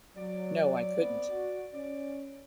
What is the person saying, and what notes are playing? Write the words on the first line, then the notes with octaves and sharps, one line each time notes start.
No, I couldn't.
F#3 D5
A#2 B3 C4
F#4
C#4 D5